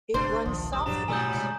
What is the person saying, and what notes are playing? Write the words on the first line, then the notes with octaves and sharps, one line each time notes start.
It runs southwards.
G1 C3 A3 D4 C5
D#1 B1 D#3 F3
G3 D#6
F#2 A2 F3 F#3 D4 G4 A#5 E7
G#2 B2 F#3 G3 G#5 D#6 G6
C3 G#3